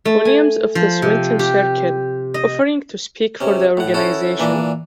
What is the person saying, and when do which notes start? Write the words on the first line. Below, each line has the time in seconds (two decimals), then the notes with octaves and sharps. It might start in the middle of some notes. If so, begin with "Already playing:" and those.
Williams of the Swinton Circle offering to speak for the organisation.
0.05 A3
0.25 G#5
0.75 F3
1.02 C3
1.39 G4
2.34 D#5
3.40 C3 C#4
3.77 A2 F#5
3.94 C#4 E4 F#4 A4
4.39 A#2 E3 D4